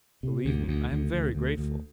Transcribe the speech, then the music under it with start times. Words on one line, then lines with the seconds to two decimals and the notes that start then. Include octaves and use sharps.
Believe me, I am very grateful.
0.23 C3
0.45 D2
0.68 D2
0.91 D2
1.13 D2
1.35 D2
1.58 D2